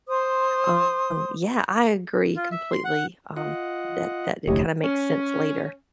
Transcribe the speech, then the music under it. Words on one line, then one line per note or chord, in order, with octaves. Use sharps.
Um, yeah, I agree completely, um, that that it kinda makes sense later.
C5 C6 D#6
F4
E5
C6
F#5
F4 D#5 F#5
F1 D2 A3 E4 G4 C#5 D#5
C#4